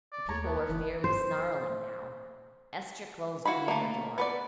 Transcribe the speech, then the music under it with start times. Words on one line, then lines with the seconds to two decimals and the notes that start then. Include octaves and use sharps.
The people were fairly snarling now. Estra closed the inner door.
0.12 D5
0.29 D#2 C#5 A#5
0.45 B3 A#4 E5 A5
0.69 F#1 E3
1.04 C5
3.45 E4 F#4 F5 B5
3.68 A3 A#3
4.18 B3 B4 D5